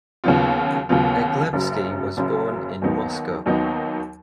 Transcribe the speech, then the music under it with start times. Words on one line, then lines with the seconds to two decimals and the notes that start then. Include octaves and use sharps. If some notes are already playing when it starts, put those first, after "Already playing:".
Eglevsky was born in Moscow.
0.24 D#2 C#3 F#3 B3 F4
0.89 D#2 C#3 F#3 B3 F4
1.53 F#1 F#2 C#3
2.17 F#1 F#2 C#3
2.82 D#2 D#3 F#3 B3 D#4
3.46 D#2 D#3 F#3 B3 D#4